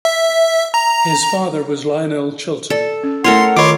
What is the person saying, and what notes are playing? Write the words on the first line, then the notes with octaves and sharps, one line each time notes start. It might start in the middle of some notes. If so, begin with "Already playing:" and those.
His father was Lyonel Chilton.
E5
A#5
A4 D5
C#4
A3 E4 A4 A#4 C#5 F#5 C6
D#3 F4 C#5 D#5 B5 C6 D6